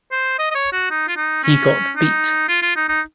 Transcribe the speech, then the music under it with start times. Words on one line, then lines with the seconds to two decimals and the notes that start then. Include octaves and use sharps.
He got beat.
0.11 C5
0.38 D#5
0.51 D#5
0.55 C#5
0.72 F#4
0.90 D#4
1.08 F4
1.16 D#4
1.43 C#4
1.96 D#4
2.48 F4
2.62 F4
2.76 D#4
2.89 D#4